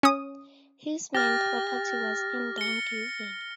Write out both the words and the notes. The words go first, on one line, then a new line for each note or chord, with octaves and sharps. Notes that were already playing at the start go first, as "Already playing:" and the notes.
His main property was in Dungiven.
C#4 D#6
G4 F6 A6 A#6
C#7 G7